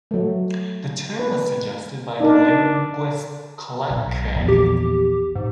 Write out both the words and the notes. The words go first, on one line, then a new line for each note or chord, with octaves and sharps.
The term was suggested by the linguist Colette Craig.
F#3 A3
B4
D4 D#4 A#4
B1
A#1 E2
G4
G#2